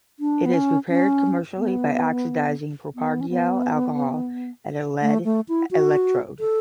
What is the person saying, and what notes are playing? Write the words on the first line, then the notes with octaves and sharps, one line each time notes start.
It is prepared commercially by oxidizing propargyl alcohol at a lead electrode.
D4
B3
C#4
C#4
B3
B3
C#4
B3
A3
A3
E4
F#4
A4